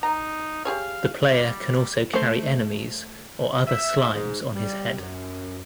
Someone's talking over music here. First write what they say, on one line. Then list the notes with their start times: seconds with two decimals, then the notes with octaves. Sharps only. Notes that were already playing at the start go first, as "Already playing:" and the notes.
The player can also carry enemies or other slimes on his head.
0.03 D#4 A#5
0.65 G4 G#4 C#5 F5
1.31 G3
2.13 A3 C5
3.67 E5
4.08 G#2
4.54 G3
4.97 F#2